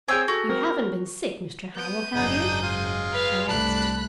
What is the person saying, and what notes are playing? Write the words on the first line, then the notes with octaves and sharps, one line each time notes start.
"You haven't been sick, Mr. Howell, have you?" I asked.
C4 G#4 C#5 G5 G#5 E6
F#4 A4
C4 A#4
B3 G6 D#7
F#1 G#2 D4 D#4 G#4
G#3 F4
B4 F5
C2 A3 D4 A5 B5 F#6